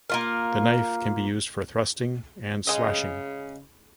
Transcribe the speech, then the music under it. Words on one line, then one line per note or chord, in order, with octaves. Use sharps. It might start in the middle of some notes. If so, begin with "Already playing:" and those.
The knife can be used for thrusting and slashing.
A#3 F4 A#4
C#3 G#3 D#5